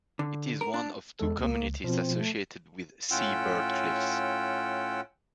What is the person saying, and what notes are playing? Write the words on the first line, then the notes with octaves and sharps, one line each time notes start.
It is one of two communities associated with sea-bird cliffs.
D3
A#4
D4
E2 G#3 A4
C#2 A#3
B2 F3 C4
A3
A2 C#4 F4 F#5 G5 E6